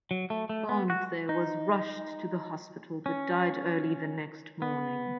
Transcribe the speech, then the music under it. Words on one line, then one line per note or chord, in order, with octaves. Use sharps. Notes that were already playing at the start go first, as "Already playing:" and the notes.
Ponce was rushed to the hospital but died early the next morning.
F#3
A3
A3
B3
F#4
D#4
C#4
B3